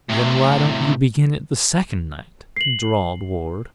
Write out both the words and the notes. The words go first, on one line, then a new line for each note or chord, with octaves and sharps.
"Then why don't you begin it the second night?" drawled Ward.
A2 C3
C7 F#7